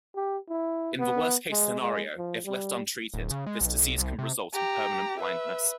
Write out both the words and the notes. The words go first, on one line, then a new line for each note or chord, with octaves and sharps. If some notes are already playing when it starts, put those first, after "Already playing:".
In the worst-case scenario, if left untreated, this disease can result in permanent blindness.
G4
E4
B3
G#3
G#3
F3
G3
D1
C#3
G#3
B1
C2
C3
G4 A#5
B4 E5